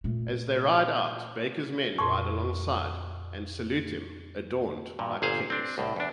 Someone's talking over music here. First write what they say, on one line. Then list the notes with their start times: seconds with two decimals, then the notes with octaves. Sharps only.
As they ride out, Baker's men ride alongside and salute him, adorned like kings.
0.04 A#2 A3
1.98 F2 A#2 C6 C#6
4.99 G2 A#2
5.22 G1 A#2 G#4 C5 F5
5.50 C4 D4
5.78 C2 A2
5.96 E2 D4